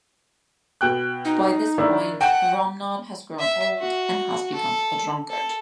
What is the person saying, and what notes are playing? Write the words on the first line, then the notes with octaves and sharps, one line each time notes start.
By this point, Romnod has grown old and has become a drunkard.
B2 G5 F#6
D#4
D#3 D4 E4
F#5 G5 A5
E5
F#4
A4
A4